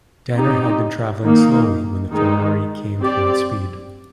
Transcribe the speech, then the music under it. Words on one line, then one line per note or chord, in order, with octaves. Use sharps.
Danner had been travelling slowly when the Ferrari came through at speed.
C4 D#4 G4
D#3 A#3 D#4
D#3 G#3 D#4
C4 G4 D5